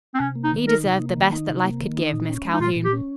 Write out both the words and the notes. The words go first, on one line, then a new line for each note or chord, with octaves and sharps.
"He deserved the best that life could give, Miss Calhoun."
C4
C3 C#4
A#3
D#4
D#3
D#4 A#4
C3
A#3
D#3
D#4
C3
A#3
D#3
D#4
A#2
C#4
G#3
D#4
A#2 F4
A#2
G4
C#4